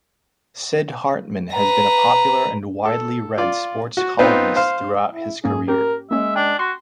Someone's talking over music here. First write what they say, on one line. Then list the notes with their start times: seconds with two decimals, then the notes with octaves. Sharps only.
Sid Hartman has been a popular and widely read sports columnist throughout his career.
1.53 B4 A#5
2.85 A4
3.38 F4 D5
3.97 F#4
4.19 B3 C4 D#4 F4 B4
4.56 C5 F5
5.11 E4
5.44 G#2 A#3 C#4 G#4
5.68 C#4 G4 A#4
6.11 G#3 A#3 C#4 E5
6.36 D4 G5
6.59 F#4 C6